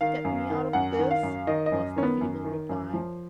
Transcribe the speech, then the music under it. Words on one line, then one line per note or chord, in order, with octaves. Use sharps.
"Get me out of this," was the feeble reply.
D#3 F5
F#2
D#3
F#2 F#5
D#3
F5
F#2
D#3 D#5
D#5
F#2
D#3 C#4
B3
F#2
D#3
F#2
F3